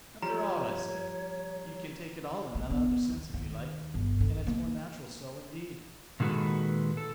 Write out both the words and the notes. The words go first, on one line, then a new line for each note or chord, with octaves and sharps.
After all, I said, you can take it all in another sense if you like, and it's more natural so, indeed.
F3 G3 C#5 A#5
G#3
B3
D#2
D#2
G1
D3
A#3
A#2 D#3 G#3 F#4 A4 B4
A4